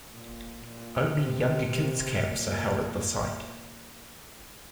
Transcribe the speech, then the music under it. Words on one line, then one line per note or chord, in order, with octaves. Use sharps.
Only younger kids camps are held at the site.
A#2
A#2
C3
C3
A#2